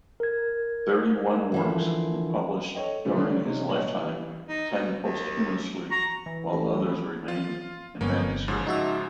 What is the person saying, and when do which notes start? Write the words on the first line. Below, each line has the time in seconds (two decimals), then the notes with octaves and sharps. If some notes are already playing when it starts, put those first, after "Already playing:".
Thirty-one works were published during his lifetime, ten posthumously while others remain in manuscript.
0.20 A#4 G#6
1.52 D3 E3 F3
2.75 A4 C#5 D#5 G5
3.05 A#2 D3 E3 F3 G3 A3
3.17 D3 D#3 G3 A3 C#4 D4
3.46 C3 C#4 D#4
3.69 A#1 C#5 D#5 F#7
3.96 E3 G3
4.48 D#4
4.71 B2
5.00 D#2
5.91 F#4 A#5
6.26 E3
6.53 A1 G4 A4 B5
7.28 F4
8.01 G1 A#3 B3 C#4
8.48 G#2 C#3 F3
8.67 D#4 F#4 E5